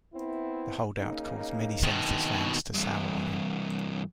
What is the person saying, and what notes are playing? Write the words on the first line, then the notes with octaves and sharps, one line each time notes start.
The holdout caused many Senators' fans to sour on him.
B3 C4 E4
C#3 A#3 D#4
D#2 B2
G2 E3